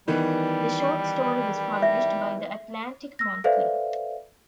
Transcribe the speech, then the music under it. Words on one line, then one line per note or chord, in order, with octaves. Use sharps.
The short story was published by "The Atlantic Monthly".
D#3 E3 G3 B3
E5
E6 A#6
A4 B4 C5 D5 E5 F5